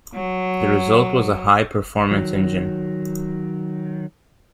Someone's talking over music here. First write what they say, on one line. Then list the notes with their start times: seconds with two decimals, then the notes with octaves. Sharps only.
The result was a high performance engine.
0.15 F#3
2.11 D#3 F#3